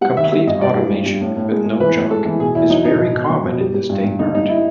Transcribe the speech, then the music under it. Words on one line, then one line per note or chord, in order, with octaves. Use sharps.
Complete automation, with no jock, is very common in this day part.
G3 F#5
D#3 E5
G3 E5
G2 D#5
G2 D5
G3
G2
G2
A2
A2
G#3
G#3
E3 B4
A2
G#3 A4
E3
B2 G#4
E2 E4
F#3 D#4
B2 D#4
B2
B2
F#3
B2
G3
G3
G2
G2
D3 D#4
G2 D#4
E4